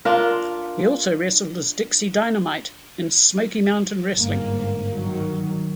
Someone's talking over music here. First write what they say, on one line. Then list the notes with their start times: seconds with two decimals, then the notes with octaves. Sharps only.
He also wrestled as Dixie Dy-no-mite in Smoky Mountain Wrestling.
0.05 D4 F4 A#4
4.16 G1 G#2 A#3
4.93 D#3 F#3